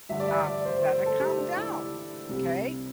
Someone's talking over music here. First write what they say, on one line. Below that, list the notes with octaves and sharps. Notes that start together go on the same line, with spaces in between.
Um. Let it calm down. M'kay?"
G2 D3 G3 E5
D5
E5
D5
C5
C5
C5
A4
G4
D4
E4
C2 C3 G3